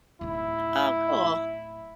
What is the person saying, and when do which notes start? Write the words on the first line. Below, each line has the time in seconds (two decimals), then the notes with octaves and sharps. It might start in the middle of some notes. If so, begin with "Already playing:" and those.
Oh, cool.
0.21 D1 D#4 E4